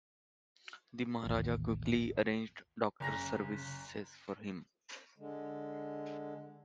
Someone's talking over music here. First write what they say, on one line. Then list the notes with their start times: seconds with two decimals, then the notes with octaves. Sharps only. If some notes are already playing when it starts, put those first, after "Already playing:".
The Maharaja quickly arranged doctor's services for him.
1.26 A1 D#2
3.00 F#1 C#3 A#5 A#6
5.18 D3 G#3